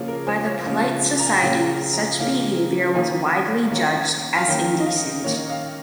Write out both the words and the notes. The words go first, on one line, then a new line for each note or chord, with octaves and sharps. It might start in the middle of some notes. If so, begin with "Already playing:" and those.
By the polite society, such behaviour was widely judged as indecent.
Already playing: C#3 F3 A#3 C#4 G#4
A#4
C5
C#5
C#3 F3 A#3 C#4
A#5
G#5
G5
C#3 F3 A#3 C#4 F5
G5
A#5
C#3 F3 A#3 C#4
D#3 A#3 C#4 G#5
D#3 A#3 C#4
F5
D#3 A#3 C#4 G5
D#5
F5
D#3 A#3 C#4 C#5
F5